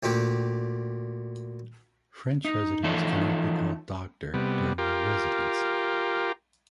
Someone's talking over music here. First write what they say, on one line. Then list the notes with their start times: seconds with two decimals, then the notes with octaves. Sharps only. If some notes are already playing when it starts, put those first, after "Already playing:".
French Residents cannot be called "Doctor" during their residency.
0.03 D2 A#2 G4
2.45 D#4
2.83 E3 F3 D#4 A4 C#5
4.34 C3 G3 B3
4.78 F4 G4 A#4